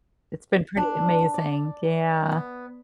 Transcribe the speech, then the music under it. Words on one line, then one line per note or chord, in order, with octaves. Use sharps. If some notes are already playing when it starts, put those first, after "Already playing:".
It's been pretty amazing, yeah.
D4
D5
B3